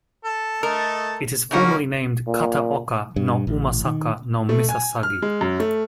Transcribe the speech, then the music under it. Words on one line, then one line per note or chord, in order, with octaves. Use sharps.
It is formally named "Kataoka no Umasaka no misasagi".
A4
A3 A4 A#4 D#5
C#3 A#3 C#4 D#4 F#4
A#2
G2
A1
D#3
A3
G#5
F6
G#3
F#2
A3